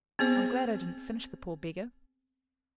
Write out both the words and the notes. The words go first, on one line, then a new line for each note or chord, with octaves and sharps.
I'm glad I didn't finish the poor beggar.
B3 C4 G#4 C5